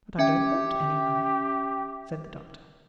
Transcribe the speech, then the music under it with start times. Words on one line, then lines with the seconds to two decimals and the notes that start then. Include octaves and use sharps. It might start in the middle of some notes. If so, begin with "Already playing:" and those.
"But I don't want any money," said the Doctor.
0.19 C#4 G4 E5 G5